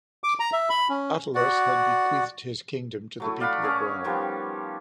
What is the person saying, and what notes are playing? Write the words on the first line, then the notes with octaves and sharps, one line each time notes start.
Attalus had bequeathed his kingdom to the people of Rome.
D6
A#5
E5
B5
C#4
F#4 D5 F#5
F#3 A3 E4
D5 F5 F#5 B5
C#4 G#4 A#4
D#3 F3 G3 B3